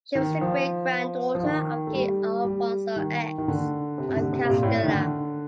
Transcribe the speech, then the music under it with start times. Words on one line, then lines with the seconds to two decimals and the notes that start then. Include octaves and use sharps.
She was the great-granddaughter of king Alfonso X of Castilla.
0.15 D#3
0.41 F3
1.35 F3
1.43 D#3
1.87 A3
1.94 G3
2.45 G3
2.96 D#3
3.38 D#3
3.48 D3
3.98 C3
4.09 C3
4.16 D3
4.33 C3
4.45 C3
4.50 A#2
4.63 A2
4.84 D#3
4.88 D3